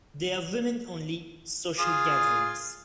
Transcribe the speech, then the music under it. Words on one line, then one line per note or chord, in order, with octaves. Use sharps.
They are women-only social gatherings.
F4 G#4 D#6